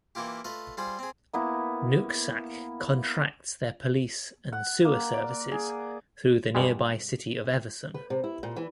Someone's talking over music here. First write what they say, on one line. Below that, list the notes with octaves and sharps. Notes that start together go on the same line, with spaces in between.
Nooksack contracts their Police and sewer services through the nearby City of Everson.
E3 A#3 E4 F4 G4
A3 F4 B4 D#5
G3 F4 G#4 C5 B5
C4 G#4
A#3 B3 E4
F#5
A#3
D5
G#4
G2 B2 G3 G#3
B4
C3
E4
A#2
E3